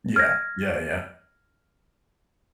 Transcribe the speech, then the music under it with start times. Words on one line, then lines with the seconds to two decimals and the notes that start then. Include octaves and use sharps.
Yeah. Yeah, yeah.
0.16 F6 G#6 A#6